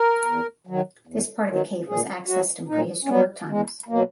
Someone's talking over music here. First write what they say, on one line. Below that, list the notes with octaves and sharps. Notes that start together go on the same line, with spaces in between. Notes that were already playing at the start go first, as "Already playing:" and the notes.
This part of the cave was accessed in prehistoric times.
Already playing: A#4
E2
D#3 F#3
E2
D#3 F#3
A#2 G#4
F#3 F#4
A#2 D#4
C#4
F#3 B3
E2 G#3
B2 F#3 A#3